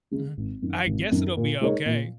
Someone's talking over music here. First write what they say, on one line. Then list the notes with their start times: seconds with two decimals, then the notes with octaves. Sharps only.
Mhm. I guess it'll be okay
0.11 C#3 G#3
0.37 G#1
0.62 F#2 D#3
0.86 G#1
1.12 F#2 D#3
1.37 A#2
1.61 G#3 D#4 A#4 C#5
1.86 A#2